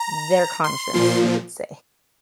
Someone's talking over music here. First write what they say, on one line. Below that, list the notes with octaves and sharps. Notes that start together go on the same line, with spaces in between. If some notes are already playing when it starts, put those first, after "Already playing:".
their conscience, you could say.
Already playing: A#5
C6
A#2 F3